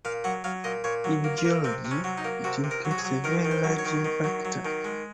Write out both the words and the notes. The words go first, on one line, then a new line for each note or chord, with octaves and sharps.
In geology, it indicates a very large impactor.
A#2 F5
F#3 F#5
F#3 F5
A#2 D#5
A#2 C#5
F#3
A#3
F4
A#3
C3 C4
C3
C#4
F#3
D#4
A#3
C3 F#4
C3
A#4
F#3
F#4
G#4
F#3
D#3 A#4
D#3
C5
F#3
C#5
D#3
D#3
F#3
F#3
D#3
G#3